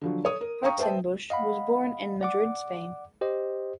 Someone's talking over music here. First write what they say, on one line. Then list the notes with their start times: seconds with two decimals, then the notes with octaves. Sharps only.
Hartzenbusch was born in Madrid, Spain.
0.01 D3 F3 F#3
0.24 A4 C#5 D#6
0.41 A#4
0.63 F5 G5 A#5 C#6 D#6
0.78 B4 C5 E5 G5 A5
1.30 D#5 F5 F#5 B5
2.21 D5 F#5 D6
3.21 G4 C5 D#5